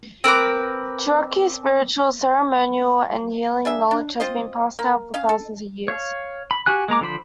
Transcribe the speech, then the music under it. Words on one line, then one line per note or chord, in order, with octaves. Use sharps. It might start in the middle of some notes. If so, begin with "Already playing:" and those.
Cherokee spiritual, ceremonial and healing knowledge has been passed down for thousands of years.
C4 A#4 B4 D6
D4 G#4 E5
D4
C4 F4 C5 D#5
A#3
C#4 D#5 F5
A4
C#5 F5
B5
F#4 G4 G#5 F#6
G#3 A#3 A#5 D6
D3 F3 C5 B5